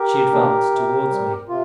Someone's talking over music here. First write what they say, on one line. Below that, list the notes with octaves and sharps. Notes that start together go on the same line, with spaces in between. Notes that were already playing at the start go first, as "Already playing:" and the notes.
She advanced towards me.
Already playing: G4 A#4
D#3 A#3 D4
C3
G3 C4
C3 F4